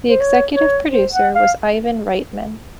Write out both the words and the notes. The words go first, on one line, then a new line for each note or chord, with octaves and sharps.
The executive producer was Ivan Reitman.
C5
C#5
C#5
C5
F#5
F5